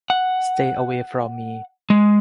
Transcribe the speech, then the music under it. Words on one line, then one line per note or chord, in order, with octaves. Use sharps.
Stay away from me.
F#5
G#3